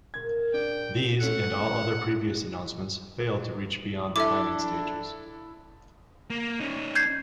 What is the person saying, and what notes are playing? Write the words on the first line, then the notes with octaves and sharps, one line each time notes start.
These, and all other previous announcements, failed to reach beyond the planning stages.
F#1 A#2 A#4 G#6
D4 G5
A3 C#4 A4 F#5
D4 E4 A4 E5 D6
A#3
C#4 D#4
G6 G#6 C7